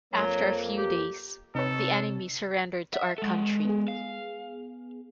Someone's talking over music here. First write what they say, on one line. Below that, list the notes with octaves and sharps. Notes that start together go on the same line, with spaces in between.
After a few days the enemy surrendered to our country.
F2 F#3 A#3
G4
C3 C4 D#4 A4 B4 C#5
E5 F#5
G#3 A4
B3 G#4
F5